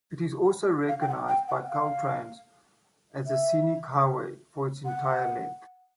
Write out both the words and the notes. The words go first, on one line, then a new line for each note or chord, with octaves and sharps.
It is also recognized by Caltrans as a scenic highway for its entire length.
F5
G5
F#5
G5
F#5
F5
E5
F#5